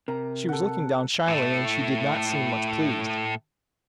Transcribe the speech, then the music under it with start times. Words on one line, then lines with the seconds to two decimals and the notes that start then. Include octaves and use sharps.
She was looking down shyly and she did not seem much pleased.
0.08 C3 A#4 A#5
0.49 A4 F#5
1.28 A2 A3